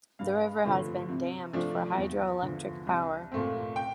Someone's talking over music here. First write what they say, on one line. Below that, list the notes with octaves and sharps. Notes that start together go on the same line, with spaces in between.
The river has been dammed for hydroelectric power.
G2 F5
D3 F3 A3 C4
C3
F3 A3 D4
E2
D3 F3
C2
A#2 A3 C4
G5